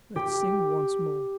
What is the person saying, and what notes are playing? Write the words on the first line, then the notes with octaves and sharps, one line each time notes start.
Let's sing once more!
G4